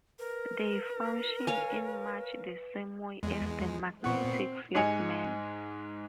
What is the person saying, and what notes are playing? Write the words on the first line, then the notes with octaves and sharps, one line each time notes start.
They functioned in much the same way as the Magnetic Flagmen.
A#4 B4
C#5 F5 G#5
E2 G#3
A#2 B3 C4 F#5 C#6
G#2 G#3 D#5 G#5 C#7